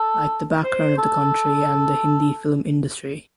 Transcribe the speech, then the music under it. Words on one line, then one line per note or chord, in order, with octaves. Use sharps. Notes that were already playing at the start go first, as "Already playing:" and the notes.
Like the background of the country and the Hindi film industry.
Already playing: A4
C5
A4